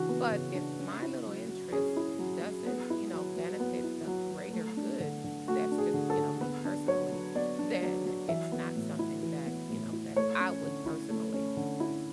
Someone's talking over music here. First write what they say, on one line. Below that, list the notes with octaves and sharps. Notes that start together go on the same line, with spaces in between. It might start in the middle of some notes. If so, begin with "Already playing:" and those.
but if my little interest doesn't, you know, benefit the greater good, that's just you know, me personally, then it's not something that, you know, that I would personally
Already playing: C#3 E3 D4 F#4
B3
C#3
D4
C#4
E4
F#3
F#3
C#4 G#4
E4
F#3
F#3
B3
E4
F#3
F#3
B3
E4
F#3
F#3
A3
D4
D3
D3
A3 F#4
D4
G#4
D3
A4
D3
B3 B4
D4
F#3 C#5
F#3
B3 D5
D4
F#3
F#3
E3 E5
B3
A2
E4
E3
B3
A2
E4
A3 C#5
C#4
D3
E4
A3
C#4
D3
E4